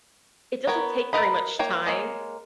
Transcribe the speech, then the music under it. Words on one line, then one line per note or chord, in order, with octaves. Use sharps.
it doesn't take very much time,
B3 A#4 C#5
A#4 B4 D#5 B5
A#3 C#5 G5
G#3 A#3 C#5